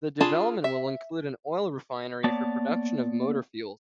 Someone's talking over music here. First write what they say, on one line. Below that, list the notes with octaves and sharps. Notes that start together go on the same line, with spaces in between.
The development will include an oil refinery for production of motor fuels.
D4 F4 G#4 A5 B5
E5
A#3 B3 C#5 D5 A5